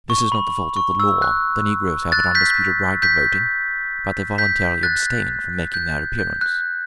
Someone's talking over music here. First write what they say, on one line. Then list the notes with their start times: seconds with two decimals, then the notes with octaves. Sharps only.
"This is not the fault of the law: the negroes have an undisputed right of voting, but they voluntarily abstain from making their appearance."
0.10 C#6
0.32 B5
0.77 C#6
1.00 E6
1.22 F#6
2.12 F#6 A6
2.35 G6 B6
3.02 G6 B6
4.38 G6 B6
4.83 F#6 A6
5.74 G6
6.19 G6
6.41 F#6